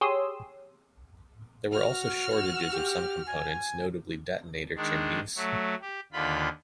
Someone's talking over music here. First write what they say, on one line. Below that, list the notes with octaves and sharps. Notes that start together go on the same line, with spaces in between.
There were also shortages of some components, notably detonator chimneys.
G4 G#4 C#5 C6 D#6 E6
F#4 F6
G4
G#5
D#3 G#3 D4
F#3 A3
G4
D#2 D3 F4 B5